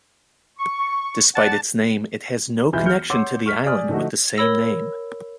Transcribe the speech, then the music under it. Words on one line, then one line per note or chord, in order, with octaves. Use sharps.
Despite its name, it has no connection to the island with the same name.
C#6
D5 F#5 A5
E1 B1 E3 F4 E5 G6
F6 G6 C#7
C#5 F#5 C6 D6 E6
C#6 F6 B6
D5 G#5 D#6 F6
D3 F3 A3 D#4 F#4
A#4 C#5 B5 E6 A#6